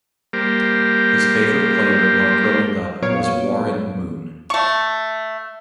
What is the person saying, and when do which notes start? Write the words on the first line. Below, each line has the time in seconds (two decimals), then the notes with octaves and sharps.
His favorite player while growing up was Warren Moon.
0.33 G3 A#3 G4 A#4 C5
3.02 A#2 F#3 B3 C#5 F5 D7
4.50 A3 C#6